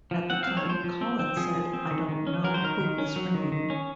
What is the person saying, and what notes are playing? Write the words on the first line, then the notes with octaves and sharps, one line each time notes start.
At the time Colin said I don't know who was ringing.
F3
C4 F#5
C4 F5
C#5
F3 C5
F3
C4
C4
F3 G#4
F3
C4
D#3
D#3
C#4
F#3 A#4
C5
D#3 A#4
D#3
C#4
F#3
D#3
D#3
C#4